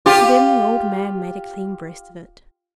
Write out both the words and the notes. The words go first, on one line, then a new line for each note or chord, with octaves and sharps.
So then the old man made a clean breast of it.
F4 G4